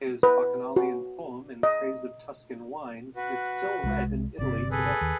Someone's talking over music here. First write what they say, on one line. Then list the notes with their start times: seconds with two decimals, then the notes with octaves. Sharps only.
His bacchanalian poem in praise of Tuscan wines is still read in Italy today.
0.23 B4
0.76 F#4
1.63 D#5
3.16 F#4 B4
3.84 C2 G#3
4.39 G1 C3 D5
4.71 G#4 A4 B4
5.01 D#2